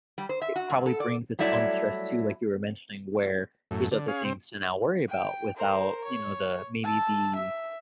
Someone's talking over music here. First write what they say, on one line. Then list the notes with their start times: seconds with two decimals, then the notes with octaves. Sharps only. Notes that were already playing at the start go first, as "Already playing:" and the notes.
it probably brings its own stress too- like you were mentioning- where there's other things to now worry about without, you know, the maybe the,
0.18 G3
0.29 C5
0.42 E5
0.56 F#4
0.70 G2
0.86 A4
1.00 D5
1.39 F#3 G3 A3 E4 D5
3.71 F#2 A2
3.91 D3
4.08 C#4 G#4 F5
4.24 C3 C4
5.09 G5
5.56 A#4 C5
6.04 C#5
6.84 A5 E6
7.36 E5